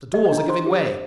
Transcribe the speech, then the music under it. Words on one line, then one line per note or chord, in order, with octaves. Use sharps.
The doors are giving way.'
G4 D#5
D#5
D4
A#5
C5 C6
G4
C5